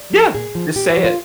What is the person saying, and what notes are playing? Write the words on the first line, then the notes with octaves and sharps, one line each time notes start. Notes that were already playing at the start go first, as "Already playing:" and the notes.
Yeah. Just say it.
Already playing: D5
F3
A#2 G#4
F3
A#2 G4
F#4
F3
F4